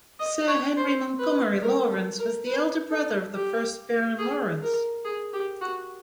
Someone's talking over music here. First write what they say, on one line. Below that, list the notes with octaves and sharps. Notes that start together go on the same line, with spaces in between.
Sir Henry Montgomery Lawrence was the elder brother of the first Baron Lawrence.
D#5
C#5
C5
B4
A#4
A4
A#4
B4
A4
G4
G#4
A#4
G#4
G4
F#4